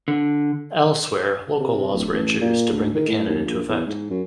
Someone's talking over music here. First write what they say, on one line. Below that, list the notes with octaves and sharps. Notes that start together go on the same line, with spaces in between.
Elsewhere, local laws were introduced to bring the canon into effect.
D3
C3
D1
A1
A#2
D2
D#3
A2
D#2
A#1
E2
G#2
F#2